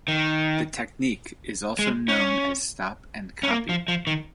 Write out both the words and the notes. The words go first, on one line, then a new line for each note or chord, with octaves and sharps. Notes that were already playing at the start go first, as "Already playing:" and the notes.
The technique is also known as stop-and-copy.
D#3
G#3
C#4
C#4
A#3
F3
F3
D#3